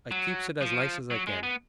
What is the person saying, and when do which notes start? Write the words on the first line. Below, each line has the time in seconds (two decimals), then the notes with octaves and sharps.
I keeps it as nice as I can.
0.11 F#3
0.61 F3
1.11 F#3
1.27 G#3
1.43 B3